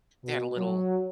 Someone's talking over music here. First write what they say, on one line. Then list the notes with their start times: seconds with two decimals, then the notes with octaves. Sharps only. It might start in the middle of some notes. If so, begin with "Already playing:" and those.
they had a little
0.24 B2
0.57 F#3